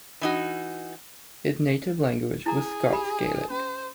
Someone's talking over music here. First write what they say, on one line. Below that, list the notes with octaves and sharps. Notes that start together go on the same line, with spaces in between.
His native language was Scots Gaelic.
E3 D#4 F#4
E4 G#4 A#5
G4 B5
C#4 C5